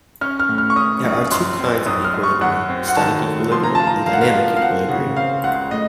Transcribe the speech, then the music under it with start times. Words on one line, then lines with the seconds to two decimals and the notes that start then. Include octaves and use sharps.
There are two kinds of equilibrium: static equilibrium and dynamic equilibrium.
0.21 C#4 F6
0.40 F6
0.49 A2
0.58 F6
0.70 C#6
0.76 C#4 D#6
1.04 A#1
1.31 F#2 C6
1.59 C4
1.86 F#2 D#6
2.05 F6
2.14 F#2
2.23 C#6
2.41 F#2 F#5
2.69 C4
2.88 F#5
2.96 D#3 A5
3.23 A3
3.52 F3 C6
3.63 A#5
3.75 F4 A5
3.87 A#5
4.06 A#3 F5
4.13 F#5
4.21 F5
4.34 F4
4.56 F5
4.61 C4 F#5
4.88 C#3 F#5
5.16 C4 F5
5.44 C#2 F#5
5.71 A2 D#5